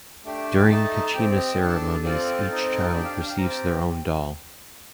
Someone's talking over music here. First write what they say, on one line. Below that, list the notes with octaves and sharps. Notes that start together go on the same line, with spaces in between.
During Kachina ceremonies, each child receives their own doll.
A3 D4 G4
A3 D#4 A4 A5
C4 G4 G5
D#5
D4 A4
C4 F4 A4 D5
C4 D#4 A4
D4 G4 D5
F5
G5
F5
C4 G4 A#5
A5